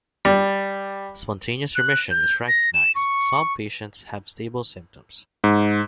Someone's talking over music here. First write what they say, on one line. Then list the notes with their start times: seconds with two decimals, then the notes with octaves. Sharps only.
Spontaneous remission is recognized; some patients have stable symptoms.
0.25 G3
1.75 F#6
2.11 G6
2.48 A#6
2.74 E7
2.95 C#6
5.44 G#2